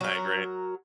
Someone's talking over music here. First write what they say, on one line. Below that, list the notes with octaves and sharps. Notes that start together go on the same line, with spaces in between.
I agree.
F#3 A#4